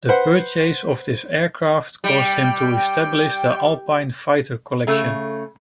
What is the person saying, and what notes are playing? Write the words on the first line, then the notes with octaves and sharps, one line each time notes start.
The purchase of this aircraft caused him to establish the Alpine Fighter Collection.
B4 C5 F#5
G3 G5
C#3 A3